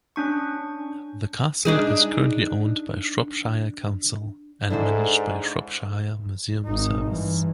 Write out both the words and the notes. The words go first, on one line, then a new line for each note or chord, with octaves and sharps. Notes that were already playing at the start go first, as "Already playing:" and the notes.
The castle is currently owned by Shropshire Council, and managed by Shropshire Museum Service.
C#4 D4 C#6
D4 D#4 G#4
G#2 D4 E4 G#4 A4 C5
G#1 D#4
G2 E3